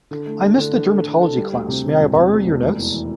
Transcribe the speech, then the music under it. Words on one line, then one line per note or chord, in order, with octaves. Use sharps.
I missed the dermatology class, may I borrow your notes?
D3
A3
D4
D3
D3
A4
D3
A4
G3
D2
C3
C3
E1
C3
D2
E1
F1
E2
E3